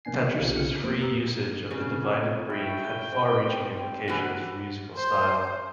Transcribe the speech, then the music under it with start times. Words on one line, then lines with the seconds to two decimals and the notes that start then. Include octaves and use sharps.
Petrus's free usage of the divided breve had far-reaching implications for musical style.
0.05 C3 A#3 B3 D4 G#5 C7
0.25 F5
0.41 B1 F4 G4
0.57 F6 C#7
0.83 F2 A#3 B3 B4 C5 D7
1.01 A#5 D#6 E6
1.71 C#3 C4 D4 B4
2.50 E4 G5 B5 C#6
3.12 C4
4.08 E3 A#3 D4 F#4
4.96 C5